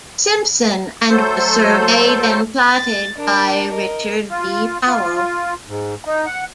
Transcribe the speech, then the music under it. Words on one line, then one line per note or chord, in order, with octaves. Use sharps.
Simpson and was surveyed and platted by Richard V. Powell.
F#3 A3 A4 C5 G6
A6
D4 A#4
A#4 D#5
F4
F4
G#2
D#4
F#5